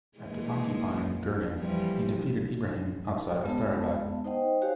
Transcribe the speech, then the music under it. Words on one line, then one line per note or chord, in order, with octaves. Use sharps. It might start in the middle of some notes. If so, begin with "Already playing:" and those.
After occupying Gurgan, he defeated Ibrahim outside Astarabad.
A#2 E3 G#3
E3 F3 G3
G#3 B3 A5
D#4 C5 D#5 F#5 G5
F#4 G4 C5 C#5 F5 G#5